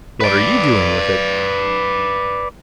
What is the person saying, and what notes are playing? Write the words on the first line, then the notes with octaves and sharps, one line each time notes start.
"What are you doing with it?"
B4 D5